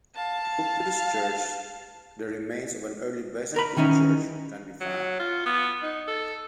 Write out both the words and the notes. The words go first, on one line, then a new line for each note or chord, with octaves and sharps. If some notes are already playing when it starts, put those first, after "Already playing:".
Close to this church the remains of an Early Byzantine church can be found.
F5 A5
A#4 B5
D#3 E3 C#4 D#4
F#3
F4
B3
D#4
A4